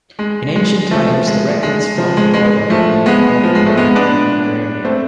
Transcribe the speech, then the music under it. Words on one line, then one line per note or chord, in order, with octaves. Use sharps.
In ancient times, the Recknitz formed the border between Mecklenburg and Pomerania.
G#3
G#3
F3 A3
G#3
G#3
F3
G#3
G#3
F3 A3
G#3 B3
F3
G#3
A3
G#3 B3
B3 D4
A3 C4